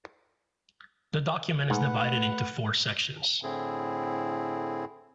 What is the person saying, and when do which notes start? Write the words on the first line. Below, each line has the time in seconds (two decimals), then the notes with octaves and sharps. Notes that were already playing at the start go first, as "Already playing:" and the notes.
The document is divided into four sections.
1.70 G#2 A3 B4 F#5
3.43 A2 D3 C4 E4 G#4